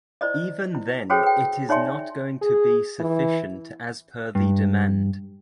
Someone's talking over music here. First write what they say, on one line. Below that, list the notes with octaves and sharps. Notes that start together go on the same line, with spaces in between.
Even then it is not going to be sufficient as per the demand.
E4 C5 D5 D#5
E4
F#4 G#4 A4 C5 C#5 G5
B4 G5
D#4 C#5 D5 E5 G#5 C6
G#4
E3
G2